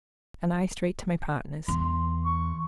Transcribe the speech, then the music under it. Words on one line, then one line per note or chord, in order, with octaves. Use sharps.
"And I straight to my partner's."
E2 C6
C#6